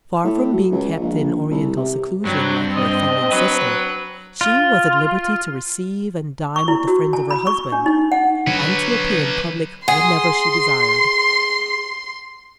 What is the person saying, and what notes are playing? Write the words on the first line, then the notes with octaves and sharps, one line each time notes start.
Far from being kept in oriental seclusion, like her Athenian sister, she was at liberty to receive and dine with the friends of her husband, and to appear in public whenever she desired.
A2
F#3
C#2
A#1
C2
C3
G2 F#3 C4 D4
D#5
F#3 B4
F4
C#6
E4
F#4
A5
B5
C#6
D4
D#4
F#5
D3 F#3 B4 C#5
G#4 F#5 C6